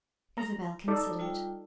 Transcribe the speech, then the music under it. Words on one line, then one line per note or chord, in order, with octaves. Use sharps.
Isabel considered.
A#5
D#4 A4 D5
G3 F4 G5